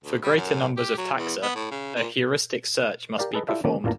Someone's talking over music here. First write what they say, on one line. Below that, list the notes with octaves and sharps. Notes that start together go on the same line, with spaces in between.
For greater numbers of taxa, a heuristic search must be performed.
D2
G3
F#2
G4
F#3
E2
B3
A2
C#3
A#2
G4 A#4 D5 F5
G#4 A4 B4 D#5
E4 F4 G4 A4 D5 E5
D3 D#3 F3 A#3 C#4 D4
A1 E2 A#2 F5 A5 A#5